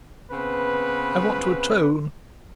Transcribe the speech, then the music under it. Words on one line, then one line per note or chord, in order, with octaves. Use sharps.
I want to atone.
C#3 B3 C4 B4